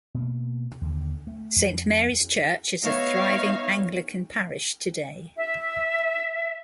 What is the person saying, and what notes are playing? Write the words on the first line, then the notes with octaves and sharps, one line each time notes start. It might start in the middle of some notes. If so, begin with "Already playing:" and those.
Saint Mary's church is a thriving Anglican parish today.
B2 A#3
D#2 D3
A3
F2
B3 D#4 C#5 E5 F5
E5